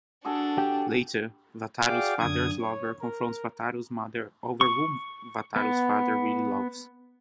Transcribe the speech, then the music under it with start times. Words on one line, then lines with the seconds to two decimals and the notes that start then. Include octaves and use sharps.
Later, Wataru's father's lover confronts Wataru's mother over who Wataru's father really loves.
0.25 D4 F#4 G#4 A4
0.58 G4
1.87 F#4 G#4 D5 F5 G5 D6
2.20 F#2 D3 D#6 G#6
2.61 C#5
3.01 A#4
4.61 C#6
5.56 B3